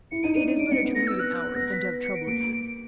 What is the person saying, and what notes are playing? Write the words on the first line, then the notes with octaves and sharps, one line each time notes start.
"It is better to lose an hour, than to have trouble here."
E4 C#7
D#4 D#7
D4 D#7
C#4
D4 D7
C4 C#7
B3
A#6
E6
F#6
B3 A#6
B6
C#7
D7
A#3 D7